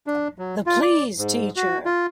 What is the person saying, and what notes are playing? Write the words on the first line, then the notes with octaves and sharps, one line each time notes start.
The Please Teacher!
D4
F#3
F4
D5
G#2
F#4
F4